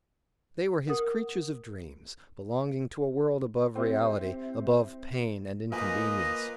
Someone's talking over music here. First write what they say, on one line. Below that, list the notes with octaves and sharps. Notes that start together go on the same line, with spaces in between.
They were his creatures of dreams, belonging to a world above reality, above pain and inconvenience.
A#4 F#5 D#6
C4 E4 G4
A#3 F4 B4 C5 D#5 G#5